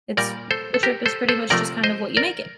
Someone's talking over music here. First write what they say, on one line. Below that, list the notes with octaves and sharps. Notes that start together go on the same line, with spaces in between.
It's the trip is pretty much just kind of what you make it.
A#2 G3 A#4 D5
A4 C5
A4
G4 A#4
A4 C5
A4 C5
C3 F3 A3 A#4 D5
C5 D#5
A#4 D5